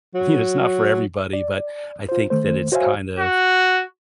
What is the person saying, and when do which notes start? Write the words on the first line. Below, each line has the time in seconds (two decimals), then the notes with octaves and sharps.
You know, it's not for everybody, but I think that it's kind of
0.14 F#3
1.33 D5
2.09 F4 C5
2.30 D#3 A3 C5
2.72 F#4 C5 C#5 E5 F5 G#5
3.19 F#4